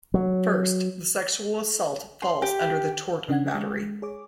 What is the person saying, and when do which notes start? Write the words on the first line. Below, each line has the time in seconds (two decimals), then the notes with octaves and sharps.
First, the sexual assault falls under the tort of battery.
0.14 F#3
2.22 C6
2.42 G4
3.29 C#3 C#4 D4 F#5 G#6
3.55 G#3
4.02 G#4 C#5 D6